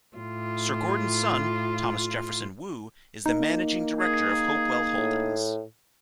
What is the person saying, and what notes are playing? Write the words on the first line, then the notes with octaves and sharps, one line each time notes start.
Sir Gordon's son, Thomas Jefferson Wu, is the managing director of Hopewell Holdings.
A2 F4
A#3 D#4
G#4
A2